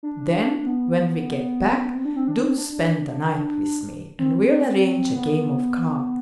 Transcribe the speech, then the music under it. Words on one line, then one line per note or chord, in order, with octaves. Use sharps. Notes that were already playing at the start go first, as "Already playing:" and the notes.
Then when we get back, do spend the night with me and we'll arrange a game of cards.
D4
B3
C4
D4
C4
D4
C4
D4
C4
B3